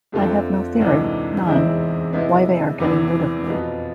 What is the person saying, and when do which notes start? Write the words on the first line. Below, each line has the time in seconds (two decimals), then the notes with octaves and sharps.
I have no theory, none, why they are getting rid of me.
0.12 F2 D3 A3 C4 F4
0.79 D2 G#2 C3 E3 G#3 D4
1.46 E2 C3 G#3 C4 E4
2.13 C3 G#3 B3 E4
2.80 E2 C3 E3 B3
3.46 F2 B2 B3 F4